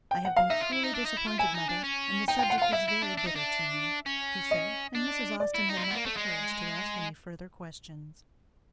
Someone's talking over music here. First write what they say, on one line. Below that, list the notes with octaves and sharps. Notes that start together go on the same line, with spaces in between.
"I have been cruelly disappointed, mother, and the subject is very bitter to me," he said; and Mrs. Austin had not the courage to ask any further questions.
G5
F#5
F5
D#4 E5
F4
E4
D#4
D4
D#4
E4
F4
E4 G#5
D#4
D4
C#4
D#4 G5
F4 G5
F#5
F4 F5
E4 E5
E4
D4
D4
D#4
D4
C#4
D#5
D4
D5
E4
D#4
F4
E4
B3
A#3
A3
G#3